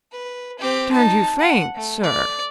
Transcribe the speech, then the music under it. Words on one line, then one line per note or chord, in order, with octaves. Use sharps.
'Turned you faint, sir!
B4
C4 G4
D#4 A5
F#5
A3
D5